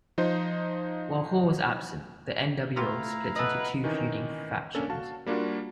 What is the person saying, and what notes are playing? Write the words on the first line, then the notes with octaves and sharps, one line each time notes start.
While Hall was absent, the nWo split into two feuding factions.
F3 D#4 C5
A3 B3 E4 F4 G4 F5 A#5
A4 B4 D#5 F#5
D#3 E3 C#4 D#4
A#3 C#4 D4 A4
F#4 F5 A5
G3 A#3 D4 F4 F#4